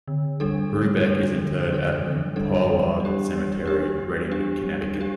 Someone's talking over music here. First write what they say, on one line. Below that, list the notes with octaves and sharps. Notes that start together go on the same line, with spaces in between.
Brubeck is interred at Umpawaug Cemetery in Redding, Connecticut.
D3
G3 D4 A4
D3
G3 D4 A4
D3
G3 D4 A4
D3
G3 D4 A4
G3
D4 G4
G3
D4 G4
G3
D4 G4
G3
D4
G4